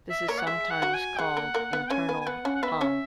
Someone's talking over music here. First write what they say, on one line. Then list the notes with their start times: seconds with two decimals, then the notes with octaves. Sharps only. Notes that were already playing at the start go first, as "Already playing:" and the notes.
This is sometimes called internal Hom.
0.10 E5
0.28 A#3 A#4 C#5
0.39 F#5
0.47 G#3 G#4 E5
0.71 F#5
0.82 F#3 F#4
0.94 G#5
1.19 G#3 G#4 F#5
1.37 A#3 A#4
1.55 A#3 A#4
1.73 B3 B4
1.90 C#4 C#5 G#5
2.09 B3 B4
2.21 G#5
2.27 B3 B4 F#5
2.45 C#4 C#5
2.56 F#5
2.63 B3 B4 E5
2.81 C#4 C#5